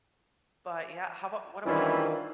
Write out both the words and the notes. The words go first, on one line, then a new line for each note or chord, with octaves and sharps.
But yeah. How about What about you?
D#3 E3 G3 C#4 D4 E4 F4 C5